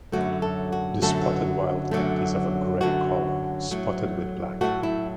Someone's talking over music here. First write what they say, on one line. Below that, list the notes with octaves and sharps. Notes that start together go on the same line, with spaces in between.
The spotted wildcat is of a grey colour, spotted with black.
F#2 D3 F#3 A3 F#4
A4
F#4
F#2 D3 F#3 A3 A4
F#2 D3 F#3 A3
F#2 D3 F#3 A3 F#4
A2 F#3 A3
A2 F#3 A3 F#4
E4